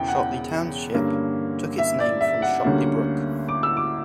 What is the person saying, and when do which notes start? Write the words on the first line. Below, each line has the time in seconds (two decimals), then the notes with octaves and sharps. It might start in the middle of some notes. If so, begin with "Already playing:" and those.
Shotley Township took its name from Shotley Brook.
Already playing: E1 E2 C#3 E3 B3 G5
0.08 F#5
0.94 G2 D3 A#3 C#4
1.78 E5
2.00 D5
2.21 E5
2.42 F#5
2.64 D2 D3 G3 A#3 C#4
3.49 D6
3.63 E6
3.77 D6